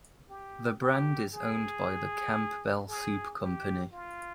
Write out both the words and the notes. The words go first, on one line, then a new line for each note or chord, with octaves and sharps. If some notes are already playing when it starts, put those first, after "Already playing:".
The brand is owned by the Campbell Soup Company.
G4
G4
G#4
G#4
G4
F4